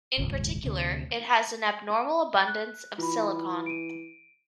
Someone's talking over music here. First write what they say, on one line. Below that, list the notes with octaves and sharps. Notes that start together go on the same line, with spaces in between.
In particular, it has an abnormal abundance of silicon.
D#1 G#1 C#2
D2 C3
F#6
E3 F4 B5
D7 D#7